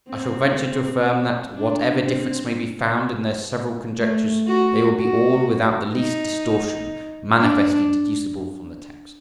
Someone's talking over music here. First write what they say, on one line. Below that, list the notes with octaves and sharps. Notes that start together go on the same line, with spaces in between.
I shall venture to affirm that, whatever difference may be found in their several conjectures, they will be all, without the least distortion, manifestly deducible from the text.
C4
D4
C4
A3
F#4
F#4
D#4
D4